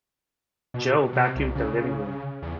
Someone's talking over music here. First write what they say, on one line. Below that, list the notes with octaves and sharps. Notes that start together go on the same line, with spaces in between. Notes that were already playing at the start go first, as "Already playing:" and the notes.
Jo vacuumed the living room.
B2
B2
C3
C2
C#3
E2